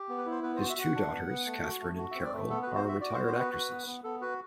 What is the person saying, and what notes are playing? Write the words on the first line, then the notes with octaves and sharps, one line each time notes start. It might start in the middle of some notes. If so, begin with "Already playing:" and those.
His two daughters, Catherine and Carol, are retired actresses.
Already playing: G4
B3
B4
E4
C5
B3 B4
F#4 C5
E5
F#4 F#5
D4
B3
B3
A3
F#4
A3
F#4
E5
C4
D5
A3
B3 A4
B4
F#4
C5
F#4 E5
F#4 D5
C5
B3
C5
F#4 B4
F#4
B3
B3
B3 A4
F#4 B4